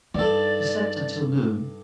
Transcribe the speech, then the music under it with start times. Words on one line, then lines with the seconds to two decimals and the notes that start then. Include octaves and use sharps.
He slept until noon.
0.15 G2 D#4 A4 D5